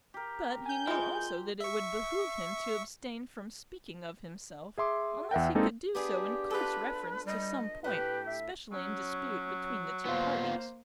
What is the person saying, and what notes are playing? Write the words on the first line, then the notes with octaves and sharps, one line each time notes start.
But he knew also that it would behove him to abstain from speaking of himself unless he could do so in close reference to some point specially in dispute between the two parties.
G4 A#4
G#5 G6
E3 G#3 F4 C6
E5 C#6
G#4 E5 C6 D6
E2 E5 F#5 G5
G#3 A#3 C4 D4 D#4 A4
B3 D4 G4 G#4
F4 A4 B4
G3 D#5
A2 G4 B4
E5
F#3 C#4
A#3 B3 F4 C5